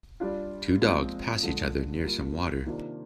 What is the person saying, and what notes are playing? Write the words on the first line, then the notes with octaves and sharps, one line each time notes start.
Two dogs pass each other near some water.
G3 D4 F4
A#2 F3 G#3 C4
D3 F3 G#3
G3 A#3 F4
C3 D#3 A#3 D4 F4